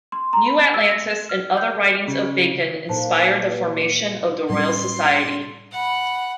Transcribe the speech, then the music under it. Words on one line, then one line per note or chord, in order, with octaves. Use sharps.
"New Atlantis" and other writings of Bacon inspired the formation of the Royal Society.
C6
A#5
B5
E6
A#6
E7
F6
G6
C#3
A#2 D#4 C5 A5
B4
C#7 E7
A2 G3 C#4 C6
F#5 B5